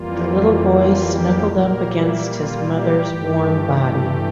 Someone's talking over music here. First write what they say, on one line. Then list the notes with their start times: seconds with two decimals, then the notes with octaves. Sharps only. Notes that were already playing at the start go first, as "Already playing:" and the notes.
The little boy snuggled up against his mother's warm body.
Already playing: F2 E3 G3 A#3 F4
0.68 F4
1.08 G4
1.47 A#2 G3 A#3 A#4
1.88 E4
2.27 F4
2.68 G4
3.07 G2 E3 A3